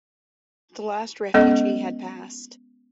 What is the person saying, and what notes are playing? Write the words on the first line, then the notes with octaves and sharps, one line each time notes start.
The last refugee had passed.
G#3 B3 C#4 A4 D#5